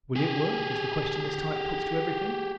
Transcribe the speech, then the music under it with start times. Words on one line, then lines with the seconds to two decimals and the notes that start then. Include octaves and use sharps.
"Will it work?" is the question this type puts to everything.
0.16 G4 G#4